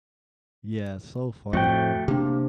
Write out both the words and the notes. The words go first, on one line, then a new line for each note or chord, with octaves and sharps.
Yeah, so funny.
F2 A2 A3 F#4 G5
C3 A#3 D4